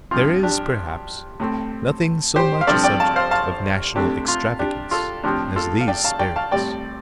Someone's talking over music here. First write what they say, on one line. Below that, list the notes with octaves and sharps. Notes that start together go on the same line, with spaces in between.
There is, perhaps, nothing so much a subject of national extravagance as these spirits.
G2 F3 C4 F4
D4 G4
A2 A3 C4
G4 C5
F5
G2 F3 C4 A4 D5
D5 G5
F5 A5
C5 F5
F5 A5
C3 A3 C4 D4 G4
F4
D4 G4
F4 A4
A2 F3 C4 D4 G4
F4 A4
F5
D5 G5
F5 A5
D5 G5
F5 A5
A2 G3 C4 D5 G5